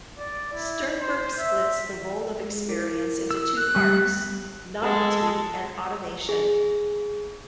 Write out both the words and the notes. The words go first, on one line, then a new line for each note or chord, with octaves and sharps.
Sternberg splits the role of experience into two parts: novelty and automation.
D5
E4
C5
E5
G#3 G#4
E4 A#4 D6
E6
F#6
G3 A3 B3 G4
G#3 A4
G#4